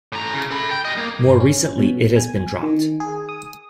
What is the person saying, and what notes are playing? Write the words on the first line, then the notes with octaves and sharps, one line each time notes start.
More recently it has been dropped.
A2 A#5
C#3
A4 B5
G5
G3 D#5
A#3
G1
C#4
B2
G#5
D#3
G#4
D#6